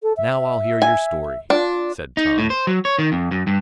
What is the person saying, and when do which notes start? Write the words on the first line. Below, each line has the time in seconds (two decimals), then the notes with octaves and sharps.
"Now I'll hear your story," said Tom.
0.03 A4
0.17 E5
0.82 G#5
1.50 D4 F4
2.17 D#4
2.38 A2
2.50 C5
2.67 F#3
2.85 C#5
2.99 D#3
3.12 F2
3.31 F#2
3.47 G2